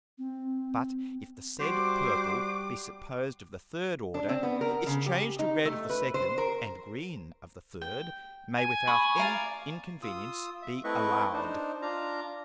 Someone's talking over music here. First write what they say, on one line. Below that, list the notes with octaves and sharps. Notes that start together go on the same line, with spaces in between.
But if the said Purple be supposed of the third Order, its Change to red of the second, and green of the third, may without any Inconvenience be allow'd.
C4
G3 F#4 C5 D6
D4
C4
B3
A#4
C#3
G4
D#4
A3
B4
C5
A#4
G5
G#5
B5 C#6 D#6
D5 F5 A#5
F4 D#6 E6
E5
A3 C4 E4 B4 D#5 C#6
D4 D#4 C5
D4 F4 F5 A#5